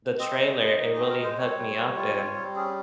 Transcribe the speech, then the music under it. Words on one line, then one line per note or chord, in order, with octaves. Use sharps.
the trailer, it really hooked me up, and
C4 D#5
G#3
G#3
D#4
C4 G#4
A#4
G#3
C5
C4 C#5
G3
G3
F4
C4
G3
C#4 G#4